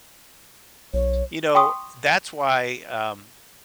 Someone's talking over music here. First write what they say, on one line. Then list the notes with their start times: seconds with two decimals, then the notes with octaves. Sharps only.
you know, that's why, um,
0.94 B1 C#5
1.55 G5 C6 C#6 D#6